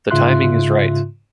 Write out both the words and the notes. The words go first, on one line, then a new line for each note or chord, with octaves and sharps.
The timing is right.
G#2 C#3 F4 E5 C6 F#6